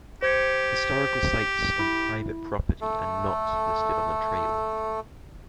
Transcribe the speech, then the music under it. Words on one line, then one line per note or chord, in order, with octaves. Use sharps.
Historical sites on private property are not listed on the trail.
G4 C5 G#6 C#7
E4
A3 A4